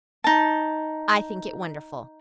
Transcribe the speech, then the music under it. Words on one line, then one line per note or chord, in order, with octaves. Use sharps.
I think it wonderful.
D#4 A5